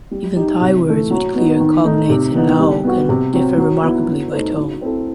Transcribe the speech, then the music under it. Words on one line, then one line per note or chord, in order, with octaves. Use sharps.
Even Thai words with clear cognates in Lao can differ remarkably by tone.
G3
D#4 G4
C3
E3 A3
F#3
B3 D#4
D#3
A3 D#4
C3
E3 B3 D#4
G3
B3 F#4
C3
F#3 C4
F#3
B3 E4 B4
F#3
A3 D#4 A4 C5
F#3
C4 E4 A4